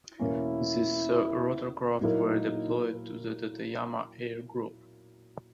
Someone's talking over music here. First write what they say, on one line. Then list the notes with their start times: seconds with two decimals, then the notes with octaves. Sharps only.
These rotorcraft were deployed to the Tateyama Air Group.
0.19 E2 B2 A#3 C#4 E4
2.01 A#2 F#3 A#3 D#4 E4 A#4